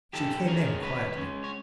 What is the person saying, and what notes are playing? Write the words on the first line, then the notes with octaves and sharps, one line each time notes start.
She came in quietly.
D#3 G4 A4
G#3 C#4 G#4 A#4
D#3 B4 C#5
G#3 C#4
C#5